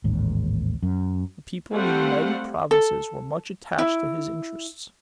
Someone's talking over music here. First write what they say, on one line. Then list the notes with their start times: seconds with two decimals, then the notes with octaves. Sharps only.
The people in the United Provinces were much attached to his interests.
0.04 A1 D#2 G#2
0.83 F#2
1.73 G3 A3 C4 C5 F5 F#5
2.71 A4
3.78 E4